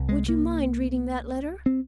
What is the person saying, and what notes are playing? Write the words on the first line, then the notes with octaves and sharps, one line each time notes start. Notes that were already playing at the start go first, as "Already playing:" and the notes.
Would you mind reading that letter?
Already playing: C2 C3
G#3
A#3
C4